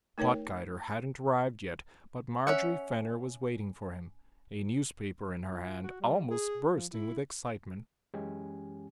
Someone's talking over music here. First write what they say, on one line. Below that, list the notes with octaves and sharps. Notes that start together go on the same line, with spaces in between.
Pottgeiter hadn't arrived yet, but Marjorie Fenner was waiting for him; a newspaper in her hand, almost bursting with excitement.
A3 D#4 A#4 C#5 G5
C#4 E5 F#5
F4
F#4
G3
G#4
F3
E4
F#2 E3 G#3 C#4 G4 G#5